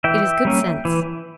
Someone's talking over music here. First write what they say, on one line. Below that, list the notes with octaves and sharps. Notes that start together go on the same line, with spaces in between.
It is good sense.
E3 E5 G5
G3 A#3 C#4
E3